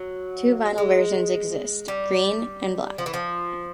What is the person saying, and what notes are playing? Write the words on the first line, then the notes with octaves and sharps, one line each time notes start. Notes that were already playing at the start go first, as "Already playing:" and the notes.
Two vinyl versions exist - green and black.
Already playing: F#3
G#3
G3
F3
E3
F3